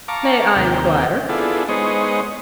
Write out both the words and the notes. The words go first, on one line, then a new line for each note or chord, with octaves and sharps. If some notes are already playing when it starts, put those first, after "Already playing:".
May I inquire?'
F5 A5 A#5 C#6 D6
D#2 C3 A#3 G5
B3 D4 E4 F4 G#4 A4
G#3 B3 D#4 C5 C#5 D#5